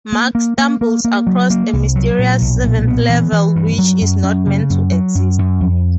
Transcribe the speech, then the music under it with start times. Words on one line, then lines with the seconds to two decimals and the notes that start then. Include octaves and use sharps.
Mark stumbles across a mysterious seventh level which is not meant to exist.
0.12 A#3
0.35 A#3
0.58 A#3
0.81 A#3
1.05 A#3
1.27 F#3
1.50 A#3
1.73 C2
1.96 F#3
2.19 A#2
2.42 B1
2.64 A#2
2.87 B3
3.09 E3
3.32 E3
3.56 G2
3.78 F#3
4.02 F#2
4.23 F#2
4.47 C#3
4.70 F#2
4.92 F#3
5.15 F#2
5.39 F#2
5.60 F2